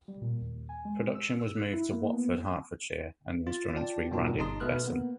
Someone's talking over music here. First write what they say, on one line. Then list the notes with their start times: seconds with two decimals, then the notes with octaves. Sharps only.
Production was moved to Watford, Hertfordshire, and the instruments rebranded Besson.
0.08 G3
0.21 A#2
0.41 D#2
0.69 G#5
0.85 G#3
1.02 C5
1.15 E6
1.39 E6
1.56 F#6
1.73 E4
1.92 A#3
2.13 B3
3.47 F4 A6
3.75 F4 D5 G5 A5
4.11 G2 B2 A#3 D#4 F4
4.38 G1 D#4 D#5 A5 C6 D#6
4.60 B2 A3 B4 F6 F#6
4.86 A#3 B3